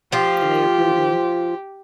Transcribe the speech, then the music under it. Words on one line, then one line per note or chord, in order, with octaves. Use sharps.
and they approved me
F3 F4 G4